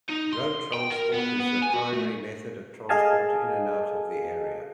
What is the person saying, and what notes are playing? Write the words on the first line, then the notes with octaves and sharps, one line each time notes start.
Road transport is the primary method of transport in and out of the area.
D#4
C6
G5
A#4
B3
B3
G#5
F#4
A3
G#4 A4 D#5 F5 G#5 A5